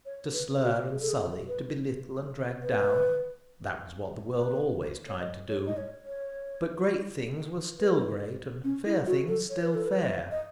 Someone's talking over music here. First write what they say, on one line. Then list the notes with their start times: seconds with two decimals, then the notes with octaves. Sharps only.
To slur and sully, to belittle and drag down--that was what the world always tried to do. But great things were still great, and fair things still fair.
0.05 C#5
0.33 B4
0.63 F#4
0.91 G#4
1.01 A4
1.09 G#4
1.20 A4
1.48 B4
2.63 B4
4.35 B4
5.08 C#5
5.20 D#5
5.49 C#5
5.66 D#5
5.77 C#5
6.06 C#5
7.78 B4
8.64 C#4
8.86 E4
9.07 F#4
9.28 A4
9.50 C#5
9.62 B4
9.75 A4
9.86 B4
10.31 D#5